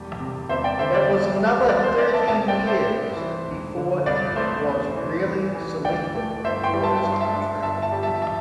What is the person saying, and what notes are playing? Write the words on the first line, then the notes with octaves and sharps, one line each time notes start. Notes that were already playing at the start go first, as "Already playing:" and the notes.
It was another thirteen years before he was really selected for his country.
Already playing: E1 G3
C3
E1 C5 E5
D5 G5
D3 C5 E5
D5
E2
G3
E2 D5
C5
C4 D5
E5 A5
C2 E5 A5
D5 G5
A3
C5 E5
C2
E3
E1
D3
C2 D5
A3 C5 E5
E2
E3
C2
E3
D2 D5 G5
A3
G1 C5 E5
G5 C6
G3
E5 A5
G2 A5
C6
E5 A5
D4
G1 E5 A5
E5 A5
G3
E5 A5
E5 A5